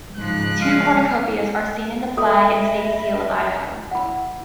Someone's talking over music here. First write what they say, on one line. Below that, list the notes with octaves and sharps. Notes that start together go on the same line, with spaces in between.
Two cornucopias are seen in the flag and state seal of Idaho.
G#2 C#3 F3 F#6
G#3 F5
A4 D#5 E5 B5 D#6
E4 F#5 B5